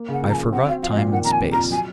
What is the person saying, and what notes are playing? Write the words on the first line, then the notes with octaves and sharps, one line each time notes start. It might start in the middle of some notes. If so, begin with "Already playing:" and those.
I forgot time and space.
Already playing: A#3
C#3 F#5
F3
A#5
G#5
C#3
C4 F#5
F#4 F5
F3 F5
D#5
A#2 F5
D#3 F#5
F2 A#5
G#5
C3
A#5
F2
F#3 G#5